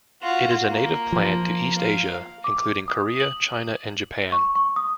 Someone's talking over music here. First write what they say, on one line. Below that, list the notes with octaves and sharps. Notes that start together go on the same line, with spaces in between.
It is a native plant to East Asia including Korea, China and Japan.
F4 F#4
A#3
F3
F5
D6
D#6
F#7
C#6
C#6
D#6